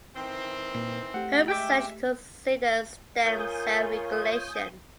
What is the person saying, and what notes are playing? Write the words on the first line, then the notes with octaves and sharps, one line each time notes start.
Her research considers stem cell regulation.
D#3 E3 C4
A#2 A#3 B4
A3 G4 F#5
G#3 E5 G5 D6
F4 A#4 C#5 G#5 D#6 G6